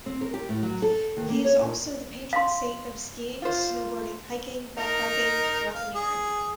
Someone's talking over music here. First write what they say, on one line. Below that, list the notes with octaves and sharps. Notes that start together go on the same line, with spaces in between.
He is also the patron saint of skiing, snowboarding, hiking, backpacking, mountaineering.
C4
A#4
G4
A2
F#3
A4
D#2
A#3
C#5
A#2
F5 C6
F4 C5
D#4 A#4
F5
G#4